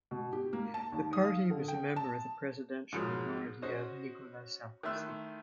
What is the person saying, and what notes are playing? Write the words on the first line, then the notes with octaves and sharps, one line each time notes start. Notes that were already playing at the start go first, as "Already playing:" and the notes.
The party was a member of the Presidential Majority of Nicolas Sarkozy.
B2
G4
A#3
A5
D#2
D#6
F5
D3
G5
A5
G#2 C#3 F3 F#3 G#3 A#3
C#4 F#4 C5 D#5
D#3 A3 E4 E5 C6 F#6